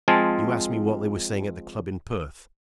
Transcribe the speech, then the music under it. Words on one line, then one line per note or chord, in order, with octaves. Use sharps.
You ask me what they were saying at the club in Perth.
F3 G#3 C4 F4 G#5 A5